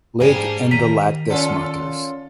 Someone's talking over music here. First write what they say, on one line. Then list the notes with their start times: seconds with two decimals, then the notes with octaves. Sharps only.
Lake and the Lac des Martres.
0.20 G#2 G3 A#3 D4 G#4
0.71 D#3 A#5 B6 D#7
1.30 C#4 F4 A4 D5 F#5